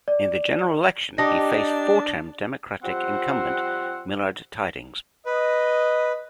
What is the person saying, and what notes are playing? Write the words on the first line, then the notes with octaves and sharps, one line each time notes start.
In the general election, he faced four-term Democratic incumbent Millard Tydings.
D5
D4 D#4 G4 A5 D#6 A#6
F3 G3 C4 F#5
B4 D#5